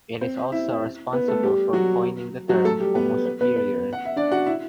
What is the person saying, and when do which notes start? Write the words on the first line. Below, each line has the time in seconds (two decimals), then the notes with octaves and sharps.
It is also responsible for coining the term "homo superior".
0.21 C4 C5
0.52 E4 E5
1.13 B3 B4
1.28 A3 A4
1.43 G3 G4
1.73 F#3 F#4
2.49 F#3 F#4
2.64 A3 A4
2.80 G3 G4
2.95 B3 B4
3.26 B3 B4
3.41 B3 B4
3.56 B3 B4
3.93 F#5
4.05 E5
4.16 D4 D5
4.32 F#4 F#5
4.46 E4 E5